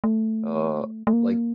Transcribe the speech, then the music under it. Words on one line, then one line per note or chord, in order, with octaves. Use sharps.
Uh, like
A3
A3
A#3